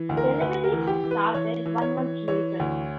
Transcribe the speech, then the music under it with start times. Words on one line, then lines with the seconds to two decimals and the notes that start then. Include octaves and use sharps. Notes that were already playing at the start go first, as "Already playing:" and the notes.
Deliveries started one month later.
Already playing: E3
0.09 D2
0.17 A#4
0.40 D2 B4
0.64 A#4
0.72 E3
0.87 G4
1.04 E3
1.11 B4
1.34 E3 C#5
1.66 E3
1.82 C#5
1.97 E3
2.28 E3 C#5
2.60 D2